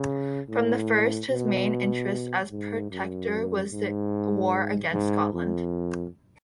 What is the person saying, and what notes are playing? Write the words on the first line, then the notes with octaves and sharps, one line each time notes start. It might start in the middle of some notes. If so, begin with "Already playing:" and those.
From the first, his main interest as Protector was the war against Scotland.
Already playing: C#3
A2
B2
G#2
F#2
G#2
G#2
F2